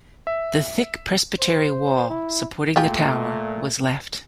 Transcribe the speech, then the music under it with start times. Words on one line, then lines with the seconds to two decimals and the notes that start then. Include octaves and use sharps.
The thick Presbytery wall supporting the tower was left.
0.27 E5
1.40 C5
2.10 E4
2.76 A#2 A3 F4 G4 G#4